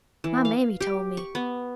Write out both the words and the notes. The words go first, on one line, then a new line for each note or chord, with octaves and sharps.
My mammy tole me.
E3
F5
G4
C#6
B3